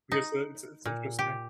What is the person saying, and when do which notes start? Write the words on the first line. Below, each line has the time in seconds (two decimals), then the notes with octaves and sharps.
I guess it's it's interesting.
0.12 D#4
0.85 A#2
1.19 G4